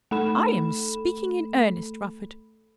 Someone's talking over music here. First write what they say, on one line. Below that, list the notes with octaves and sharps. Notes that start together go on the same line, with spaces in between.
I am speaking in earnest, Rufford.
A3 A4 B5 E7